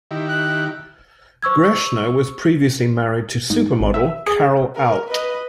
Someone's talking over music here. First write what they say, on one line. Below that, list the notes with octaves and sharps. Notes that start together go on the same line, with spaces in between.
Greschner was previously married to supermodel Carol Alt.
D#3 E4 G4
F#6
C5 C#6 E6 G#6
G#2
G#1
E5
G#4
A#4
B4 D#5